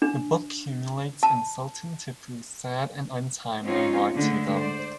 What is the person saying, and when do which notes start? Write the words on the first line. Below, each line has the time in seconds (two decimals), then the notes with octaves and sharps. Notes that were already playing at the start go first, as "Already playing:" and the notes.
The book culminates in Sultan Tipu's sad and untimely martyrdom.
0.02 D4
1.23 A5
3.62 F3 C4 C#4 D#4 F4 C#5
4.16 D3 G#3 A3
4.55 C5 D5